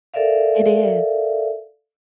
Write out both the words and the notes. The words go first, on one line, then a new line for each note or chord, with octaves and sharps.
It is.
A4 A#4 D5 E5 F5